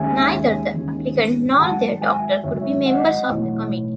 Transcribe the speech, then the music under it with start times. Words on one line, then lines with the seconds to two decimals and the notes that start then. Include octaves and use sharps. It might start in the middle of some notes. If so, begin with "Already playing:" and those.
Neither the applicant nor their doctor could be members of the committee.
Already playing: D#2 D#3 G#3 C#4 E5 G#5
0.74 D#2 D#3 G#3 C#4
1.59 G#1 G#2 F#3 F#5 A5
2.01 E5 G#5
2.44 G#1 G#2 F#3 C#5 E5
2.86 D#5 F#5
3.29 B1 A2 E3 A3